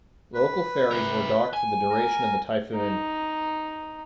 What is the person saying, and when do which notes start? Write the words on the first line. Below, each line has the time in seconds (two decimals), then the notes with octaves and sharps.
Local ferries were docked for the duration of the typhoon.
0.34 B4
0.91 E4 A#4
1.53 G#5
1.90 A#4
2.74 D#4